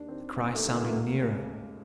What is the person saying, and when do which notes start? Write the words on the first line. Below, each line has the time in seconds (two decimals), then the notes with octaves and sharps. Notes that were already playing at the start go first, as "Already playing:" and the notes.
The cries sounded nearer.
Already playing: D#2 D4
0.08 D#3 C4
0.36 D#3 A#3
0.55 A3
0.64 D#2
0.73 B3
0.80 A#3
0.89 C#2 A3
0.97 A#3
1.19 C#3
1.46 C#2